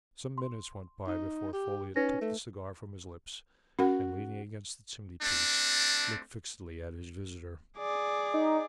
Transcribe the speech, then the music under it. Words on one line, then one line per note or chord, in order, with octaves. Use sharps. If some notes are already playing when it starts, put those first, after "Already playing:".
Some minutes went by before Folliot took the cigar from his lips and leaning against the chimneypiece looked fixedly at his visitor.
C6
D#4
G4
C#4 D#4 B4 A#6
A3
C#4 F#4 A#4 F#5
A3 C4 D4
G#4 D5
D#4